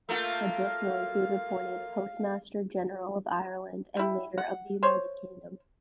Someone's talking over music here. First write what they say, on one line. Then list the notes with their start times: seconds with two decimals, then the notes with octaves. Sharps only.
Additionally he was appointed Postmaster General of Ireland, and later, of the United Kingdom.
0.09 A3 A#3 F4 F5
3.97 G3 E4
4.38 F#5
4.83 C5 C#5